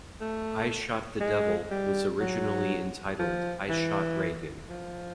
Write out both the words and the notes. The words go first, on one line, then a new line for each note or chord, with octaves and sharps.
"I Shot the Devil" was originally entitled "I Shot Reagan".
A3
G#3
G3
F#3
F3
E3
F3